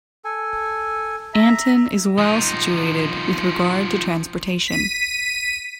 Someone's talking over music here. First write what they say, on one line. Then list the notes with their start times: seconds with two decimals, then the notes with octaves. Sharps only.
Anton is well situated with regard to transportation.
0.25 A4 G#5
1.34 E5 A#5
2.18 F3 D#4
4.68 B6 D#7